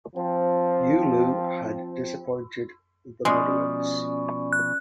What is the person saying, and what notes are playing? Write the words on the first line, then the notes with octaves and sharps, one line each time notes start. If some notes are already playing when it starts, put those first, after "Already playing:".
Youlou had disappointed the "moderates".
F3 C4
B2 F3 G#3 C#4 D5 G#5
F#6